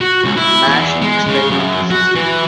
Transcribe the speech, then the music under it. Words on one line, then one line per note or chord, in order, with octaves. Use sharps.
Mash experimental system.
F#4
C#2
E4
E2
G#3
C#3
F#2
F#4
E3